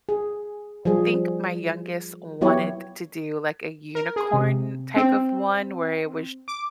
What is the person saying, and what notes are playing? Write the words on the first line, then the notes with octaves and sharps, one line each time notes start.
I think my youngest wanted to do, like, a unicorn type of one where it was
G#4
F3 G3 G#4
F#3 B3 E4 G4 C#5
A#4
G#4
C3
C4
D6